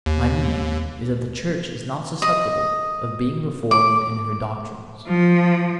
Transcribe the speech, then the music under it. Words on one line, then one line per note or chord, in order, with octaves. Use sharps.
My meaning is that the Church is not susceptible of being reformed in her doctrines.
D#2
D#5
D6
F3